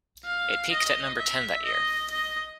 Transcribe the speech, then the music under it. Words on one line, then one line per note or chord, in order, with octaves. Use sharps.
It peaked at number ten that year.
F5
D#5
E5
D#5
D#5